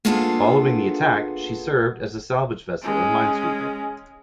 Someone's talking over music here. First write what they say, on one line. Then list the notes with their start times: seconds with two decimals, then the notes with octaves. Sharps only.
Following the attack, she served as a salvage vessel and minesweeper.
0.05 A#3 B3 D4 F4 G#4 A4
2.81 G#3 C#4